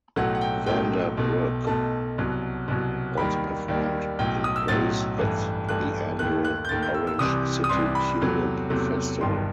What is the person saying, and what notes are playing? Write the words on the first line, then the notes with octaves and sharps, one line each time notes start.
Vander Broek also performed in plays at the annual Orange City Tulip Festival.
B1 A2 F#3 A3 F#5
F#5
G5
B1 A2 F#3 A3 G5
B1 B2 A3
B1 B2 A3 A5
C2 B2 F#3
C2 B2 F#3
D#2 D#3 G3 B5
D#2 D#3 G3
B1 A2 F#3 G5
D#6
E6
B1 A2 F#3 A6
A1 G2 E3 A3
A1 G2 E3 A3 F#6
D#2 D#3 A3 F#6
F#6
G6
D#2 D#3 A3 A6
G6
E6
E6
C2 C3 E3 G3 D#6
D#6
C2 C3 E3 G3 C6
B5
E2 C3 F#3 A3
E2 C3 F#3 A3
G1 G2 D#3 G3 C6